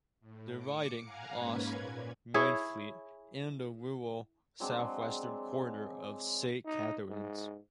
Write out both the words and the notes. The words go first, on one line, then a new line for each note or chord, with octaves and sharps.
The riding lost Wainfleet and the rural southwestern corner of Saint Catharines.
A2
D6 C#7
F5 F#5 G#5 A#5
G#2 A#3 C#4 B4 G#6
A#2
E4 G#4 C#5
F#3 G#3 C4 D4
D#4
G#2